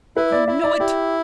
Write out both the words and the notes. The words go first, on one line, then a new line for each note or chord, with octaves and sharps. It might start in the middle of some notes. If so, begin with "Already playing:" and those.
I knew it.
E4 B4
D5
E4 E5
D5
E4 G4